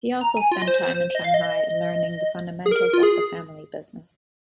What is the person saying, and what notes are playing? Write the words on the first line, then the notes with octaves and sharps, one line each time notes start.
He also spent time in Shanghai learning the fundamentals of the family business.
A#5
G#5
F4
D#5
C5
C5
D#5
F5
D#5
G#4
A#4
F4
G#4